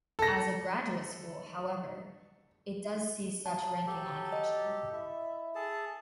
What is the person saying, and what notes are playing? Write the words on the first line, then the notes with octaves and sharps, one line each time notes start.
As a graduate school, however, it does see such ranking on occasion.
A4 A#6
F#3 A5
F#3 G4 A4
D#5
E4 E5
G#4 A4 A5